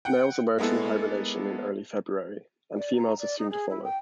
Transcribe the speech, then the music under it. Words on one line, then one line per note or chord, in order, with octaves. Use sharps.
Males emerge from hibernation in early February and females are soon to follow.
F#5 G5
G#3 A#3 B3 E4 A4
D5
A#5
D5
D#4
G#4
E4
G5